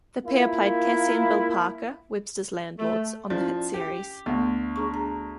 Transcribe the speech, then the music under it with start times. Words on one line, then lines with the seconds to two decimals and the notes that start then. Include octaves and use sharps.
The pair played Cassie and Bill Parker, Webster's landlords, on the hit series.
0.24 A#3 E4 F4
2.79 A3
3.30 F3 C#4 E4 D5
3.74 G4
4.26 D2 A3 B3
4.76 D4 G#4 C#6
4.94 A#5